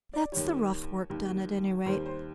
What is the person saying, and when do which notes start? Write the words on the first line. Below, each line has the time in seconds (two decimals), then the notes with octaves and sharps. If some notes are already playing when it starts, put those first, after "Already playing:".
"That's the rough work done, at any rate."
0.13 D5
0.32 D#2 D#3 G3 C#5
1.10 D#2 D#3 G3
1.86 D#2 D#3 G3 C5
2.06 C5